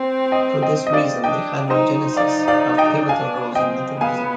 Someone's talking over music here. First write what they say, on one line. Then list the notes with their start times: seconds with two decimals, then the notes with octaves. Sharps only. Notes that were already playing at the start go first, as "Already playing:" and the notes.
For this reason, dehydrogenases have pivotal roles in metabolism.
Already playing: C4
0.32 D#5 G5
0.62 D#5 G5
0.87 D#5
0.93 D5 F5
1.24 D4 D#5 G5
1.70 D#4 C5 D#5
2.16 D#4 D5 F5
2.48 D5 F5
2.78 D#5 G5
3.09 D4 F5 G#5
3.55 C4 D#5 G5
4.01 B3 F5 G#5